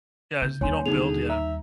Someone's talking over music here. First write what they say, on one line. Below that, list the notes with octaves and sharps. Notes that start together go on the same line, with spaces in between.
Yeah, you don't build, yeah.
C#3 G6
D#2 G3 C#5 G#5 C6
B2 D3 D#4 G#4 F7
E5 A#5